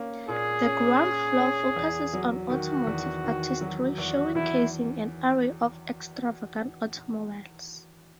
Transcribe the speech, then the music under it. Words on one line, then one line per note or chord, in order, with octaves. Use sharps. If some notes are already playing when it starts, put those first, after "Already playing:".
The ground floor focuses on automotive artistry, showcasing an array of extravagant automobiles.
Already playing: A#3 C#4
A#2 G#4
C#4
C#4
C#4
E2
F#3
D#3 F#4
E2
D#3
F#3
E2 F#4
E2 E4